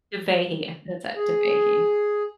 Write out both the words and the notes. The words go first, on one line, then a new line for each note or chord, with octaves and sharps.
Dhivehi, that's it, Dhivehi.
G#4